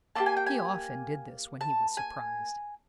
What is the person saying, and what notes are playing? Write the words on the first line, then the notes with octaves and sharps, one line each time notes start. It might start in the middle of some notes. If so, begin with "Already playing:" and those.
He often did this when he was surprised.
A#3 D4 G4 A5
G#5
G5
G#5
A5
G#5